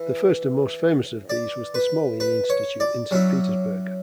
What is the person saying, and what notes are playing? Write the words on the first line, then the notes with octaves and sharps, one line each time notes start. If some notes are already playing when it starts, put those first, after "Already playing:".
The first and most famous of these was the Smolny Institute in Saint Petersburg.
Already playing: E3 E4
D5
B4
B4
C#5
D5
F#3 C#4 E4